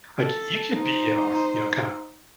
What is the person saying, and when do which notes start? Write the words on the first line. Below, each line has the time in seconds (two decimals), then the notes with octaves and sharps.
like, you could be, uh, you know, kinda
0.19 A4
0.73 D#4 C5